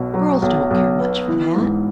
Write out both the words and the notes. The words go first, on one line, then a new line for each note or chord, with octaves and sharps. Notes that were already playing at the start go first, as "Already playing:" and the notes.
"Girls don't care much for that."
Already playing: B1 B2
F#3
B1
B1
B3
E3
G#2